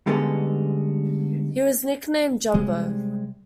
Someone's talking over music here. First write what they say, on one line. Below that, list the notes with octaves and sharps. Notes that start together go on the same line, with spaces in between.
He was nicknamed "Jumbo".
D3 G3 G#3 B3 C#4 A4
C3 G3 G#3